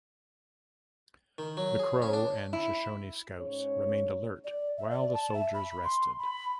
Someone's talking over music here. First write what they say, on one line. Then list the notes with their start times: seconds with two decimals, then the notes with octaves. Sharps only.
The Crow and Shoshone scouts remained alert while the soldiers rested.
1.38 D#3
1.57 F#3
1.79 G#4
2.02 C#4
2.13 D4
2.53 E4
3.38 G#2 C#4 G#4 C#5
4.44 D5
4.77 E5
4.90 D5
5.13 A5
5.34 E5
5.54 B5
5.84 C6
6.18 B5